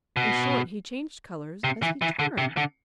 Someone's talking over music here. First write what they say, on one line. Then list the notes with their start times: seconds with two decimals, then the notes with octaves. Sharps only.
In short he changed color as he turned.
0.17 B2
1.64 C3
1.83 E3
2.02 E3
2.19 D3
2.38 C3
2.57 D3